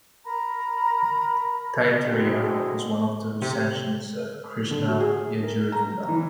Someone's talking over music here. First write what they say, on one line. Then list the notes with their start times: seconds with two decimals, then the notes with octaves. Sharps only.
Taittiriya is one of the recensions of Krishna Yajurveda.
0.25 A#4 A#5 B5
2.03 B2 D3 E3 F#3 G#3 C4
3.42 C3
4.71 D3
4.88 F#4
5.00 G#4
5.43 A#4
5.72 A#5
6.09 E3